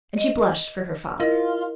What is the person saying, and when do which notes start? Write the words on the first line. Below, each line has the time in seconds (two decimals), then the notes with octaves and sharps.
And she blushed for her father.
0.18 D#5
1.20 E4 F4 A#4 D#5